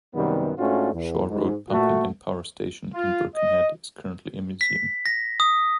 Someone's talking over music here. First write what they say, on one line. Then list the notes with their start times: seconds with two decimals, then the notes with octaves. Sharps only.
Shore Road pumping and power station in Birkenhead is currently a museum.
0.14 F#2 C3 D#3 G3 B3
0.58 G#2 A3 C#4 D4 F4 F#4
0.93 E2
1.28 G#2
1.70 A#2 A3 F#4
2.94 F4
3.36 D#5
4.61 B6
5.06 A#6
5.40 D#6